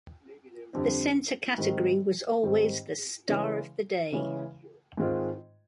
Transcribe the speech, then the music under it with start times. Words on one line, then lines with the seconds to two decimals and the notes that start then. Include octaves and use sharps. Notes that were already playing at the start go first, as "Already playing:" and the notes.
The center category was always the "Star of the Day".
0.73 F2 D3 G3 C4
1.58 G#2 D#3 G3 C4
2.43 G#2 D#3 G3 C4
3.28 C#3 E3 G#3 C#4
4.12 C#3 E3 G#3 C#4
4.97 G#2 D#3 G#3 C4 F4